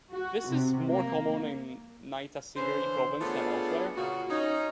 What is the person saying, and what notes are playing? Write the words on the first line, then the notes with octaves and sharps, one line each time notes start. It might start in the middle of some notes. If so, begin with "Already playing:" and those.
This is more common in Naitasiri Province than elsewhere.
F#4
C3
A#3
D3 E3 C#4 C5
A3 B3 C#4 D4 F4 G#4
A#2 C#3 F#4
C#4 D#4